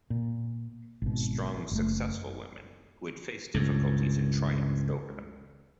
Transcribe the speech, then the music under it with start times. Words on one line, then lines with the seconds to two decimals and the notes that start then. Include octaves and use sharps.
Strong, successful women, who had faced difficulties and triumphed over them.
0.10 A#2
1.02 G#1 B2
1.71 F#1 A3
3.54 C#2 G2